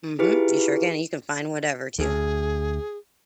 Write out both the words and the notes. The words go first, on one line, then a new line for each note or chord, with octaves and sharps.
Mhm, you sure can, you can find whatever too.
E4 F4 G4 G#4 B4
D2 G#4